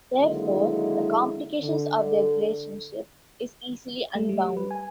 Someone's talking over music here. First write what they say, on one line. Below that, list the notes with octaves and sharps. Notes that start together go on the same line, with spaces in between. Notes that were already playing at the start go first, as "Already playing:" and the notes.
Therefore, the complications of their relationship is easily unbound.
D3 D#3 F#3 G#3 A#3 E4
D3
A3
G3
B4
G#5